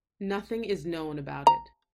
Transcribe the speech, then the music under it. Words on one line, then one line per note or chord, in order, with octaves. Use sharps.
Nothing is known about it.
A#5